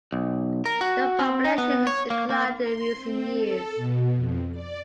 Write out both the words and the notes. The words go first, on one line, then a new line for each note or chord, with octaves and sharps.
The population has declined in recent years.
B1
A#4
F#4
C4
D#4
B3
C#5
A#3
A#3
C6
C4
A4
B2
F2
D5